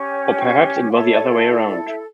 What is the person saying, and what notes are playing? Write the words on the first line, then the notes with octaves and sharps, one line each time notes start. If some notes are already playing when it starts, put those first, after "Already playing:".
Or perhaps it was the other way around.
Already playing: C#4 G4 C#5
G5
G5
G5
F#5
E4 A4 C#5 E5
D5
C#5
D5
D5
E5